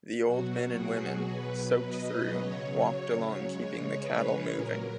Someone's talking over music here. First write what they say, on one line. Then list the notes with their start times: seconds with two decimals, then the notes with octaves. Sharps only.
The old men and women, soaked through, walked along keeping the cattle moving.
0.24 B2 F#3 F#4
0.77 G#4
1.32 B2 F#3 B4
1.85 D#5
2.38 C#3 F#3 C#5
3.46 C#3 G#3
3.99 B4
4.53 A#2 F#3 A#4